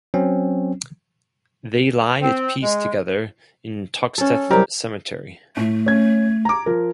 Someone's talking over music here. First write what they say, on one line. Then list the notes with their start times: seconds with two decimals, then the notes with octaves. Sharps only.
They lie at peace together in Toxteth Cemetery.
0.14 F#3 C4 C#4
2.21 C4
2.62 G#3
4.18 C#4 A4
4.51 C2 F#3 G3 G4 A#4
5.57 A2 A3
5.86 C#4 G#6
6.45 A#5 D6
6.66 F3 A#4